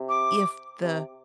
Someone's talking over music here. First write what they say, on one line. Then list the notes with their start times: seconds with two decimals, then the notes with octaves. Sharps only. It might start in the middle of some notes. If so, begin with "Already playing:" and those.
If the
Already playing: C3
0.08 D6
0.82 C3